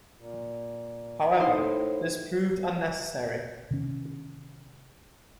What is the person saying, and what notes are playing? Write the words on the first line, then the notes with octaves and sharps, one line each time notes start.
However, this proved unnecessary.
A#2
A2 D#4 E4 C5
C3 D#3 C#4